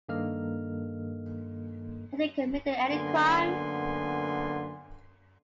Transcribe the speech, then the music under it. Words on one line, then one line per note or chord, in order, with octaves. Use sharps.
Had he committed any crime?
G2 D#3 A#3 A4 D#5 F6
F#2 D3 A#3 B3 G#5 C6